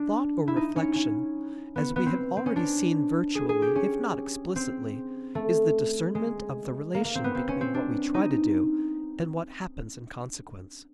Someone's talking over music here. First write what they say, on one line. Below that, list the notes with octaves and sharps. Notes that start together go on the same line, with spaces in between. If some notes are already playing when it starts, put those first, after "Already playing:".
Thought or reflection, as we have already seen virtually if not explicitly, is the discernment of the relation between what we try to do and what happens in consequence.
Already playing: D4
E4
D#4
C#4
C#4
B3
B3
C4
C4
C#4
D4
G#4
G#4
G4
C#4
C4
A3
G#3
A#3
A#3
C4
B3
C4
C#4
C4
D4
D#4